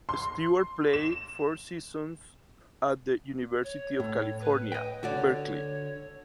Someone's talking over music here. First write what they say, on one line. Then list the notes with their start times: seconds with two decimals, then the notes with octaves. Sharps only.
Stewart played four seasons at the University of California, Berkeley.
0.09 C6
0.93 E7
3.64 C#5
4.00 A2
4.41 B4
4.72 D#5 G5
5.03 D3 F#4 C#5 D5